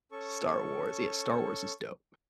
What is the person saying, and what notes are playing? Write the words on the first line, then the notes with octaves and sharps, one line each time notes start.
Star Wars, yeah Star Wars is dope.
C#4 A4 C#6